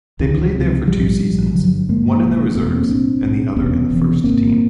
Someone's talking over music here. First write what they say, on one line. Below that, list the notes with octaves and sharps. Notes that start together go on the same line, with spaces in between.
They played there for two seasons, one in the reserves and the other in the first team.
C#2 C3 D#3
D3 E3
D#3 F3
C#2 C3
A#1 G#2 F3 G3
A#1 G#2
G1 G2 D3 F#3
G1 G2 D3 G#3 A#3
E1 E2 B2
E1 E2 B2 A3 B3
A#3 C4
B1 A2 C4 D4
B1 A2
E1 E2 C3 B3 C#4
E1 E2 C3
G#1 G#2 A#3 C4